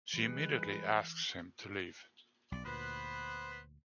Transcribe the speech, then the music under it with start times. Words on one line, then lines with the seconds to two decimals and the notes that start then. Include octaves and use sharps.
She immediately asks him to leave.
0.14 E3 G3 G#3 B4
2.52 B1 D5
2.65 D2 A#2 B3 B4 C5